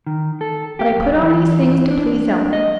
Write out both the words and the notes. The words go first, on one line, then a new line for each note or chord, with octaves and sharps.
But I put on these things to please Ellen.
D#3
A4
G4
F#2
E3
D4
D#5